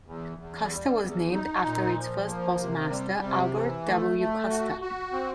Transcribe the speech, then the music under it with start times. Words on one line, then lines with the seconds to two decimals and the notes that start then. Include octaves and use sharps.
Custer was named after its first postmaster, Albert W. Custer.
0.06 E2
0.38 E2
0.70 G3
1.01 E2
1.32 D#4
1.64 A#2
1.96 F3
2.27 A#3
2.60 C3
2.91 G3
3.23 C3
3.55 E3
3.86 A3
4.18 A3
4.50 F#4
4.81 F#4
5.12 C4